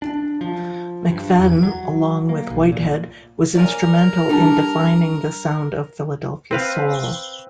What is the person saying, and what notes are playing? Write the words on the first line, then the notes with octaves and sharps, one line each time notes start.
McFadden, along with Whitehead, was instrumental in defining the sound of Philadelphia soul.
D4
F3
G2
E2
F#3
A#3
B1
A#2
A#4 C#5 D5 G#5
G3 D4 G4 A4 A5
C4 B4 F5